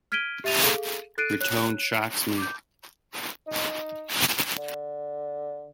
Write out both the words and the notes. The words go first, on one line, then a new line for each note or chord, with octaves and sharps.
Your tone shocks me.
F6 G#6 B6 D7 D#7 G7
G4 E5 A6 D#7 F7
G#4 A4 F5
A4 F#6 A6 C7 D7 D#7
C#5 F#6
D6 G6
D#4
D3